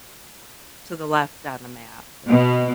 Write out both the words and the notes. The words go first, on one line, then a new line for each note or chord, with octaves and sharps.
to the left on the map. It it's
B2